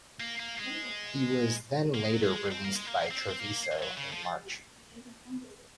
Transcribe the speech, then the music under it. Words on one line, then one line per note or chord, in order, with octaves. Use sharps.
He was then later released by Treviso in March.
A#3
A#3
G#3
A#3
G#3
F#3
G#3
C4
A#3
G#3
A#3
C4
C4
A#3
F#3
C#3
F3